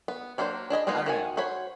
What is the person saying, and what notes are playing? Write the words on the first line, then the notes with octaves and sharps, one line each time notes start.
I don't know.
B3
F#3 A#3 D4 G#4 C5
D4 G#4 D#5 B5
G#3 A#3 B3 D#4 F4
D#3 F#4 G#5
F#4 C5 C#5 B5